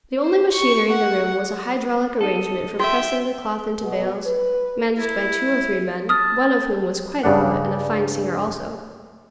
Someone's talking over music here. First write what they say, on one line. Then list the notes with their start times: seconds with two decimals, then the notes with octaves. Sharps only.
The only machinery in the room was a hydraulic arrangement for pressing the cloth into bales, managed by two or three men, one of whom was quite a poet, and a fine singer also.
0.22 C5
0.55 C#6
0.92 F#5
2.21 D#4 A4
2.80 F#4 E5 G5
3.83 B2
4.27 B4
4.99 E4
6.09 A5 D#6 F6
7.23 G2 C#3 G3 D4 F#5